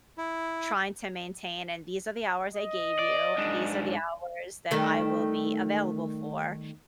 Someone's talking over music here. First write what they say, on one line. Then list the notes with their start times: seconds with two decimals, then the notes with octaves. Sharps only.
trying to maintain, and these are the hours I gave you, "These are the hours that I will be available for,"
0.18 E4
2.55 D#5
2.99 D5
3.38 G#2 D4
4.71 D#3 G3 A3